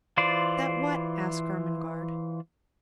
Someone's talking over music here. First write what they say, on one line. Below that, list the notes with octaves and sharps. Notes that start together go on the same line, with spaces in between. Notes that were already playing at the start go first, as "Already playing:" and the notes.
"That what?" asked Ermengarde.
E3 F4 C5 D5